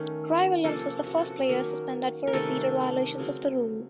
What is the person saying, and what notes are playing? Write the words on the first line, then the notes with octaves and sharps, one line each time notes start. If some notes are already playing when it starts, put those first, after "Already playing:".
Roy Williams was the first player suspended for repeated violations of the rule.
Already playing: D#3 A3 C#4
C3 F3 A#3 C#4 A4
F#4
A4
F#4
D#3 F#3 A#3 C#4 A#4
A#4
C3 D#3 A3 C#4 A4
C#3 F#3 C4